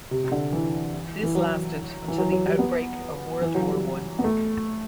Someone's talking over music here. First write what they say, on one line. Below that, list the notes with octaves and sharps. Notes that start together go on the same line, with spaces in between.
This lasted until the outbreak of World War One.
C3
C3
D3
E3
E3
F#3
E3
F#3
F#3
G3
B3
E3
F#3
G3
B3
A3